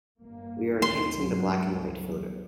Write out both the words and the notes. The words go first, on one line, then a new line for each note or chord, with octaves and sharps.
We are enhancing the black and white photo.
G1 A#3
D#2 D#3 C6
C#2 G2 F#3